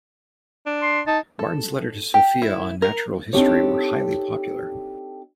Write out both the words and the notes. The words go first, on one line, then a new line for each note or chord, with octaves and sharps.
Martin's letters to Sophia on "Natural History" were highly popular.
D4
C6
D#4 A5
A4
G4
E4
A#4
C4 D4 D#4 G4 A4 C#5